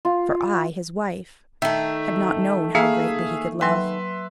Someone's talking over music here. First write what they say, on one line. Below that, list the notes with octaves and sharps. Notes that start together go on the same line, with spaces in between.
For I, his wife, had not known how greatly he could love.
F4
D#3 A3 E5
A#3 G#4 E5 F5
F#3 B4 E5 G5 C6